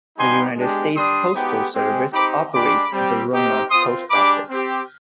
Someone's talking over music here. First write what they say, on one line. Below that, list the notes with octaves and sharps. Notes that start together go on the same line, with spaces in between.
The United States Postal Service operates the Roma Post Office.
G3 B3 D#4 G4 G#5 C6
G#3 D4 G4
G3 D4 G4 C6 D#6
G#3 B3 D#4 G4
G#3 C4 G4
C4 D#4 G4 B5 D6
G#3 D4 G4 B5 D6
G3 C4 G4
C4 D#4 G4
C4 F4 C6 D#6
G#3 D4 G4 B5 D6
C4 G4